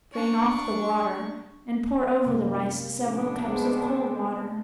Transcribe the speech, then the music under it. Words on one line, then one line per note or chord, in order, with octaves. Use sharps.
Drain off the water and pour over the rice several cups of cold water.
D4 C#6
G#1 F#2 C3 A#3
A2 F3 B3 C#4 D4
G3 G#3 C4 G#4